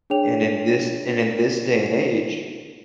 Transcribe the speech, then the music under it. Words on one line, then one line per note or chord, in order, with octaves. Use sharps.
And in this and in this day and age,
D4 G#4 C#5 G5 F7